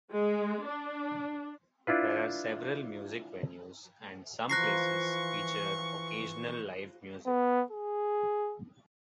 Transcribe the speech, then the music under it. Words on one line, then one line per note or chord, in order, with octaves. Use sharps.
There are several music venues and some places feature occasional live music.
G#3
D4
D4 E4 F4 B4
E3 F3 F4 A#5 C#6 F#6 A#6 C7
B3
G#4